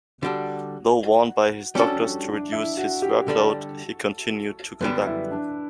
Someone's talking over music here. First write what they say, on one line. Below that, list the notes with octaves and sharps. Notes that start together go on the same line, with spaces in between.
Though warned by his doctors to reduce his workload, he continued to conduct.
D3 G3 D4 F#4
G3 C#4 D4 F#4 A4
D4
D4
E4
F#4
G4
D3 G3 D4 A4
F#2 D3 G3 B3 B4
E4
D4